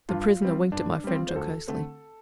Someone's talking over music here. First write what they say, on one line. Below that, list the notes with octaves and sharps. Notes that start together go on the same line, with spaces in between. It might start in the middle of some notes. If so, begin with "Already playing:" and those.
The prisoner winked at my friend jocosely.
G2 F4
G3 C4
G2 D4
D4
G3 C4
F4
C5
D2 A4
D3 A3 C4